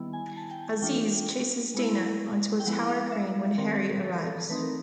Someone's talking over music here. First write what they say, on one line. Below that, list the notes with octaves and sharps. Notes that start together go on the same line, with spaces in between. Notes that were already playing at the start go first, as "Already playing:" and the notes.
Aziz chases Dana onto a tower crane when Harry arrives.
Already playing: D#3 G3 B3 E4
G#5
G#5
A5
G5
G#5
E3 A3 D4 F4 G5
G#3 B3 E4
G5
F3 G#3 B3 E4 F#5
F5
E5
D#3 G3 C4 A#4
A4
A#4
A4
E3 A3 C4 D#4 B4
A#4